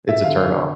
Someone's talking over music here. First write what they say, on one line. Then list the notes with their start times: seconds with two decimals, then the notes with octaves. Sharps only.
it's a turnoff.
0.08 E5
0.24 D3 F5